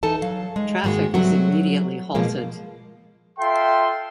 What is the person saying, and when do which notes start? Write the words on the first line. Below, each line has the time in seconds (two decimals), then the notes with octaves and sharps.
Traffic was immediately halted.
0.03 E3 D#4 A4 G#5 A5
0.22 F#3 F5
0.56 G#3
0.84 G#2 D#3 G#3 A#3 F#4
1.14 F#3 G3 A3 C4 F#4
2.15 B2 F3 G#3 A#3
3.39 F4 A4 E5 G5 C6